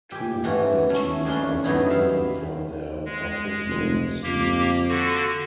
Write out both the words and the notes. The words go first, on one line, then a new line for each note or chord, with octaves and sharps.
Two Hornet teams are remembered for their proficiency.
G4 G#5
E3 A3 C#4 F#4
A3 C#4
F2 C#4 D4 C6
E2 G2 F#3 B3 D#4 E4
E5 F5
G#3
F1
F2 A#3 G4
D3 F#4